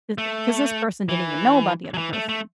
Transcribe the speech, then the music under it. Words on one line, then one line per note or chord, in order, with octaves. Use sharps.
'cause 'cause this person didn't even know about the other person.
A3
E3
F#3
E3
A3
A3